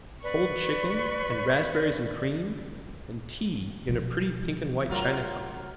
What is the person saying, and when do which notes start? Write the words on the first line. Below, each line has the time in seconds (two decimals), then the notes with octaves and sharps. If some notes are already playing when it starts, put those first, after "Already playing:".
Cold chicken, and raspberries and cream, and tea in a pretty pink-and-white china cup.
0.23 B4 D5 C#6
3.89 B2 F3
4.89 A2 F#3 F4 A#4